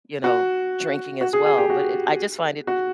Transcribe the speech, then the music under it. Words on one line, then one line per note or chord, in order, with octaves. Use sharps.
you know, drinking as well, but it I just find it
F#4
F#4
G#4
G#4
G4
F#4
F#4